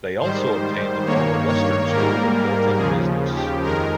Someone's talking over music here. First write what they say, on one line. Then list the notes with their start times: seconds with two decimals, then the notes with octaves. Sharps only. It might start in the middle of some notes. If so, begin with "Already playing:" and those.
They also obtained the former Western School of Health and Business.
0.20 G#2 D#3 G3 C5
1.06 G2 D#3 A#3 C#5
1.48 C#5
1.91 G#2 G3 A#3 A#4
2.77 D#2 C#3 F3 G#4
3.34 G4
3.63 F2 D#3 G#3 A#4